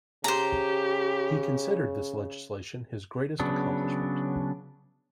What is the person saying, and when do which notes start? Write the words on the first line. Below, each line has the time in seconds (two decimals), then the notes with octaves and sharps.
He considered this legislation his greatest accomplishment.
0.24 C#3 G4 C5 A#5
3.40 C#3 F#3 B3 D4